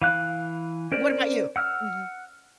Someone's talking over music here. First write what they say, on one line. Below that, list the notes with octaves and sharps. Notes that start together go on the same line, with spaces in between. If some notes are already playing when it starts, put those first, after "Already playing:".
What about you? Mhm.
E3 F5 F#6
C#4 A#4 C5 D5
F#5 E6 F6